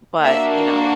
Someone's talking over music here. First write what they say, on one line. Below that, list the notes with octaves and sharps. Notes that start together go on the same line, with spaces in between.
but, you know
A#3 D4 F#4 E5